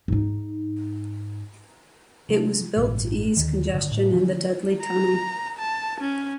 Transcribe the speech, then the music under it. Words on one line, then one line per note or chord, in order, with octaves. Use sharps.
It was built to ease congestion in the Dudley Tunnel.
G#2 D#4
C3 F#3 A3 D4
A1 G2 B2 G#3
D#2 D3 D#3
G1 D3
A2
D3 F3 C#4
A#5
A5
C#4